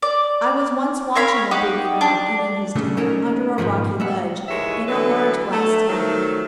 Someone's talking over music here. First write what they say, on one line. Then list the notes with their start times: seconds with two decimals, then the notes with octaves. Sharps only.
I was once watching a big Crab eating his dinner under a rocky ledge in a large glass tank.
0.02 D5
1.15 A#4 C#5 F5 B5
1.51 D#4 G4 F#5
2.01 D4
2.76 C#3 A3 D4
2.97 A3 C#4 D#4 A#4
3.58 G#2 B2 D#3 F3 A3
4.00 G#3 E5 F#5
4.48 D#2 E3 G#3 C#5 E5
4.88 D3 E3 F#3 A4 B4
5.53 A3
5.89 D#3 F3 F#3 A3